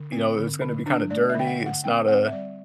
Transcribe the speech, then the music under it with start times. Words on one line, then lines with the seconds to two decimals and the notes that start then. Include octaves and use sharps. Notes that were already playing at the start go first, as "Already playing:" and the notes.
you know, it was gonna be, kinda, dirty. It's not a
Already playing: D3
0.12 C4
0.37 D3
0.62 D3
0.86 D4
1.10 A3 D5
1.30 E5
1.35 D3 G5
1.47 F#5
1.60 D3
1.66 F#5
1.84 C4 G5
2.08 C4 F#5
2.26 E5
2.32 G3 D5